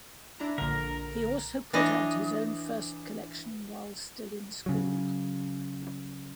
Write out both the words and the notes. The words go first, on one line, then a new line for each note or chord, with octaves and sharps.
He also put out his own first collection while still in school.
D4 E4 A#5
A#1 D3 A#4
E3 D4 C#5 D#5
C#3 F#3